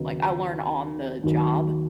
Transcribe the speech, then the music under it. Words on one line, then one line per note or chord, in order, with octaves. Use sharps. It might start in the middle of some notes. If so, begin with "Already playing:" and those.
like I'll learn on the job
Already playing: D#2 C#3 F#3 B3 D#4
D#2 D#3 F#3